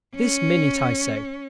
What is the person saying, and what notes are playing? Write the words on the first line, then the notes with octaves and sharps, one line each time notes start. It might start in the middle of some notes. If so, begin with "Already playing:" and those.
This minute, I say.
C#4